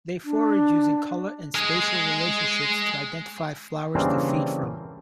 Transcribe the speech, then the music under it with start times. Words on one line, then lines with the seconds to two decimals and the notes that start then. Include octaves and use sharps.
They forage using colour and spatial relationships to identify flowers to feed from.
0.25 D4
1.55 G#3 G#4
3.95 C#3 E3 G3 A#3 C4 D4